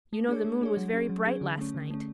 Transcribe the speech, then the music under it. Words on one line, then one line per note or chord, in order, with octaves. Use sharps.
You know the moon was very bright last night.
A3
D4 G#4 C#5
A3
D4 G#4 C#5
F#3
C#4 G#4
F#3
C#4 G#4
D3
A3 C#4
D3
A3 C#4